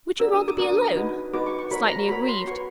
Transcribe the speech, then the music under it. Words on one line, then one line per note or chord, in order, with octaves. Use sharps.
"Would you rather be alone?" slightly aggrieved.
D4 F#4 A#4 E6
D#6
D6
D4 F#4 A#4 D#6
D#4 F#4 B4
D#4 F#4 B4 D6
C#6
C#6
F#4 A#4 C#5 B5
A#5
A#5
F#4 A#4 C#5 B5
C6
F#4 B4 C#6